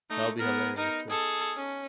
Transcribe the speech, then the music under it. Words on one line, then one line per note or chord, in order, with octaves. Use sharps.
That would be hilarious, too.
A3 D#4
B3 A#4
D#4 A#4
G#4 A4
C#4